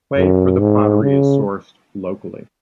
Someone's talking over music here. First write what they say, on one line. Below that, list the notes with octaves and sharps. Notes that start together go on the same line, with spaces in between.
Clay for the pottery is sourced locally.
F#2
G#2
C#3